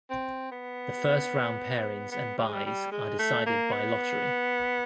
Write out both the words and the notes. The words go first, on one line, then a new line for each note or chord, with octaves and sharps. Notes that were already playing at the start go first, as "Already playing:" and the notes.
The first round pairings and byes are decided by lottery.
C4
B3
B3
G3
G#3
G3
G3
G#3
A3
A#3
B3